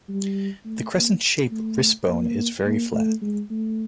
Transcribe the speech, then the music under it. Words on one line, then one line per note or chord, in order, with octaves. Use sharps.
The crescent-shaped wrist bone is very flat.
G3
A3
A#3
A3
A#3
A#3
A3
G#3
A3